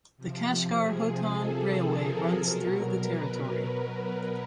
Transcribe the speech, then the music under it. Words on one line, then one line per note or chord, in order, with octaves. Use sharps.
The Kashgar–Hotan railway runs through the territory.
C3 F3
G#4
A4
A#4
B2 F#3
B4